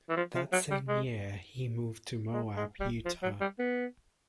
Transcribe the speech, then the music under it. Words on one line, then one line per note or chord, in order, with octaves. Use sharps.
That same year he moved to Moab, Utah.
E3
F3
F3
F#3
G3
G#3
G#3
G#3
G3
F3
F#3
G3
B3